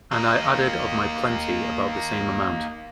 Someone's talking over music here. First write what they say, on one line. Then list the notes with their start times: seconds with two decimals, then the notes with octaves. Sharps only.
And I added of my plenty about the same amount.
0.11 A#3 D#4